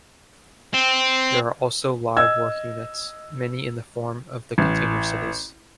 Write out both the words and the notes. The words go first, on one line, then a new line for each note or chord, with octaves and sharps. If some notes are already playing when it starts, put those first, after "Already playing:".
There are also live-work units, many in the form of the Container Cities.
C4
D#5 E6 G#6
A1